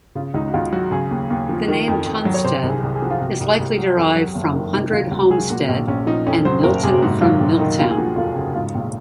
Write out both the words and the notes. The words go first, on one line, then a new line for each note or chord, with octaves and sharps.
The name Tunstead is likely derived from hundred homestead and Milton from mill town.
C#3 F4
C#2 D#4
F#4
C#2 F4
F#3 F#4
C#3 G#4
D#2
D#2
F3
D#3
F2
F2
F#3
C#5
C3 C5
C2
G#4
C2
G#4
F3 F#4
F4
C3 F#4
C2
C2
F#3
F2
F#3
F#1
D#3
C3 D#4
C#2 F4
C#2 F#4
F#3 G#4
A#2 F#4
A#1
A#1 C#4
F3 D#4
F2 C#4
F#3 C5
F#1 A#4
C3 G#4
G#2 F#4
F#3 F4
A#1
D#3 D#4
D#2 F4
G#4
F3 F#4
F1 F4
C#3 F#4
G#2 F4
A#1 F4